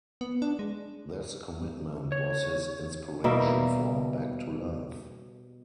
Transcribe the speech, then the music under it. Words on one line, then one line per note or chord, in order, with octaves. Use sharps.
This commitment was his inspiration for “Back to Love”.
B3
D4
G#3
C#5
B2 G3 A#3 E5